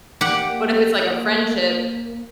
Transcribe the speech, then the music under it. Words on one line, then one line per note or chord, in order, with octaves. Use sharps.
But if it's, like, a friendship,
A#3 G4 F#5